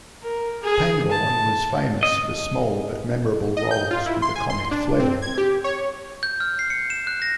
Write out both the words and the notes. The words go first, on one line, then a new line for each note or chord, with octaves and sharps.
Pangborn was famous for small, but memorable roles, with a comic flair.
A#4
G#4
A5
D#5
D#5
G6
F4
E4
C6
G#5
C6
D4
C4
G#6
G4
C#5
G6
F6
C7
C#7
E7
F#6
A#6